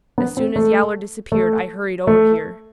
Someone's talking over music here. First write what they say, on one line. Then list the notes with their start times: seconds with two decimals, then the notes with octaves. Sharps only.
As soon as Yowler disappeared I hurried over here.
0.18 B3
0.37 C4
0.56 A3
1.32 A3
2.07 A3